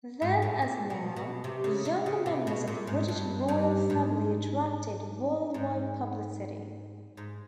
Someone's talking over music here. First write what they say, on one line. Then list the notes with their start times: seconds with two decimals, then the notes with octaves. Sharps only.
Then as now, the younger members of the British Royal Family attracted worldwide publicity.
0.22 G#2
0.42 A2
0.62 A#2
0.90 B2
1.16 B2
1.44 C3
1.64 C#3
1.85 C3
2.06 C#3
2.26 C3
2.47 B2
2.67 A#2
2.87 G#2
3.08 G2
3.48 G2
3.90 G#2
5.54 G#2
7.17 G#2